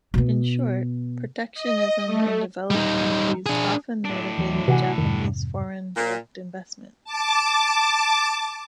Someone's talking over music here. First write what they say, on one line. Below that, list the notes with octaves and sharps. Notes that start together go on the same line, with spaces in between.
In short, protectionism in developed countries often motivated Japanese foreign direct investment.
B2 B3
D#5
A3
G3 D#4
D4 G#4
A2 D4
D#2 E3 F#3
C3 E3 F#4 F#5 G#5
F2 G#2 C3 D#3
A#2
A5 D6